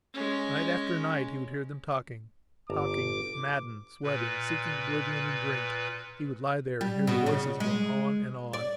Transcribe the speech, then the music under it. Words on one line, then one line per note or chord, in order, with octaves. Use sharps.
Night after night he would hear them talking; talking; maddened, sweating, seeking oblivion in drink, he would lie there and hear the voices going on and on.
G#3 C#4
G1 A5 A#5 D6
A#2 B4
G3
B2
C#3
G#3
D5